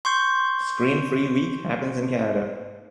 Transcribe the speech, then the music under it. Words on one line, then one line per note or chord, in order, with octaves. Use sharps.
Screen Free week happens in Canada.
C6 C#6 G6